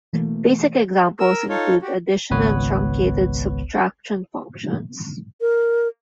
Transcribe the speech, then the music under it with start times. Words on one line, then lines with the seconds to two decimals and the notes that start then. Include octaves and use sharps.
Basic examples include the addition and truncated subtraction functions.
0.13 B2 E3 A3 A#3
1.20 A#4 E6
1.49 D#4 F4 A4 C#5
1.82 F#4 G4
2.31 G#1 C#2 B3 B4 C#5
5.41 A#4